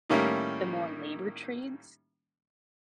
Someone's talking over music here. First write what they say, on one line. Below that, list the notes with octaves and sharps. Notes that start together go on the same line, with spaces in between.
the more labor trades,
A2 D#3 G3 A#3 C#4 E4